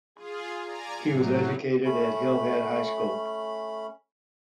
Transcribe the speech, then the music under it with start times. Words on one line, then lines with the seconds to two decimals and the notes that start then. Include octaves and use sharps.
He was educated at Hillhead High School.
0.15 F4 G#4
0.63 D5 G#5 A#5
1.08 A2 F#3
1.85 A3 C#4 B5